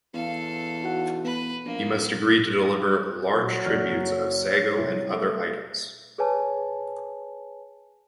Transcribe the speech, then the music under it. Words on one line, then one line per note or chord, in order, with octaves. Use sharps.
He must agree to deliver large tributes of sago and other items.
E2 A4 F5
D#4 F#4 F#5
B3 B4
A#1 A#3
F#3
F#1 D5 F6
C#5
C2
A3
G#4 B4 C#5 G#5 A5